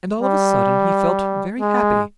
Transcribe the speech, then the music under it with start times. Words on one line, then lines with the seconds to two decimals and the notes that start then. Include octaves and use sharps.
And all of a sudden he felt very happy.
0.22 G3
1.60 G#3